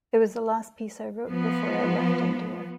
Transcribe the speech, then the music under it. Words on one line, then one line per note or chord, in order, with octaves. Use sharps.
It was the last piece I wrote before I left India.
F3 B3